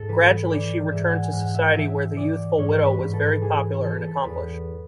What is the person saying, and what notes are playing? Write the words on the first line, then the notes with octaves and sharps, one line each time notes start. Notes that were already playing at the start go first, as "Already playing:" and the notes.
Gradually she returned to society where the youthful widow was very popular and accomplished.
Already playing: G#2 A4
E3 B4
E3 D5
G#2 E5
F#5
G#5
G#2 F#5
E5
E3 E5
E3 D5
G#2 C#5
B4
G#2
A4
E3 G#4
E3 A4
B4
A4
E2 B4